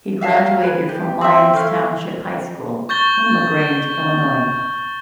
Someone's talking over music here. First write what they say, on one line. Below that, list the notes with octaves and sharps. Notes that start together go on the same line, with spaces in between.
He graduated from Lyons Township High School in LaGrange, Illinois.
E5 F5 A5
F5 A#5
G#4 B4
G4
C4 C5 E5
A3 E4 F5
C#6 G6 A6 G7